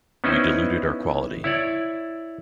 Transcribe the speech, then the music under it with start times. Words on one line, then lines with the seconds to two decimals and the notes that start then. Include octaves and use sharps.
We diluted our quality.
0.24 B3 C#4 D#4 E4 B4 C5
1.44 E4 C#5 D5